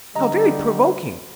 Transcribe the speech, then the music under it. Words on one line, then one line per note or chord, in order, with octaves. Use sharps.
How very provoking!
D3 G3 B3 D#5 A#5